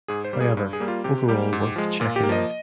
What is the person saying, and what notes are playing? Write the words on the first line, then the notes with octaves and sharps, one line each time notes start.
However, overall worth checking out.
G#2 G#4
C5
G3 A#3
G#4
G2
G#4
G3 A#3
F4
C3 G4
G3 A#3 G4
G#2
F3 G#3
A#2 F4
G4
A#3
F3 D#5